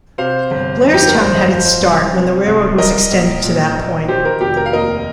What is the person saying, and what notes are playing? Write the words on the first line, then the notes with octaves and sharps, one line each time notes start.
Blairstown had its start when the railroad was extended to that point.
C3 C5 F5
G1
F2
G4
A#4
G1
C5
D#5
F3 C5 F5
C2
C3
C2
G3 A#4 D#5
A#1
A#2
A#1
D#3 G4 C5
A#4
F1 G4
A#4
F5
D#2 A#4 D#5